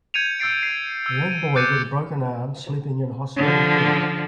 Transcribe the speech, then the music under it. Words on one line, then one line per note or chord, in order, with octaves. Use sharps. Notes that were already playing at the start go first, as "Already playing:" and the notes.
A young boy with a broken arm sleeping in a hospital bed.
G6 G#6 C#7 D#7 F7
E6 G6 A6 C7 D7
C7
E6
D#7
D6 F#6 G6 A6 C#7 D#7
D3 F3